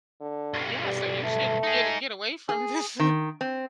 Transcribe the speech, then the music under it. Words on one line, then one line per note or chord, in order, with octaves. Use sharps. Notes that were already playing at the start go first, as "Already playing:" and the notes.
Yeah, so you should get get away from this
D3
B1 G2
G3
A3
D#4 G#4
G#4
D#3
C4